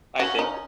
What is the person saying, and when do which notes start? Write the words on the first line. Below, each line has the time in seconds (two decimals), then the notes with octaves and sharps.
I think
0.19 C#4 F#4
0.39 D#4